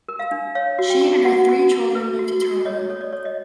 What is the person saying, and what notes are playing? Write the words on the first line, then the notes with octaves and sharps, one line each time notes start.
She and her three children moved to Toronto.
A#4
F5
D4
C#5 F5
F#4
G5
F#4
F#4 F#5
F#4
F#4
B4
F#4
F#4
C#5 D#5
A4 C#5
D5
C#5
D#5